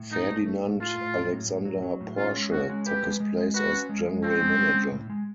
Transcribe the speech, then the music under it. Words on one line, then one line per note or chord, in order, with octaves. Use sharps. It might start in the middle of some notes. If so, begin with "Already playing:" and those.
Ferdinand Alexander Porsche took his place as general manager.
Already playing: A2
A3 D#4
A3
A3
A2
A3 F4
A2
F#3
A2
A2
F#3
F#3
A2
C#4 F4
G#3
C#4 F#4
G#3
G4 B4
G#3
G#3
G#3
F#4 B4
C#4
G#3
G#3
C4 C#4
G#3
C#4
G#3
A2
G#3